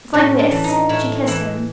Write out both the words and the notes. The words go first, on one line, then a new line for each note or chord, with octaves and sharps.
"It's like this." She kissed him.
A2 C#4
D4
E3
D#4
A2 E4
E3 E4